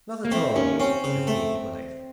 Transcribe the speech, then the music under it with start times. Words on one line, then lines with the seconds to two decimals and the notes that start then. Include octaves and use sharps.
"Not at all," said Katy, politely.
0.25 A#3
0.31 A3 C4
0.56 D#2 C#4
0.80 C4 C#4
1.04 C#3
1.27 A3